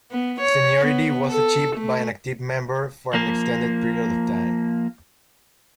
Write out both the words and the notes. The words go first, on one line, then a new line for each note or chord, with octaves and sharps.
Seniority was achieved by being an active member for an extended period of time.
B3
C#5
B3
A4
A3
F3 A#3